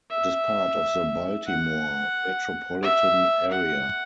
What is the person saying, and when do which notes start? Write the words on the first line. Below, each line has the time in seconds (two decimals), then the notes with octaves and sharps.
It is part of the Baltimore metropolitan area.
0.11 E5
1.47 F#5
2.83 E5
3.51 F#5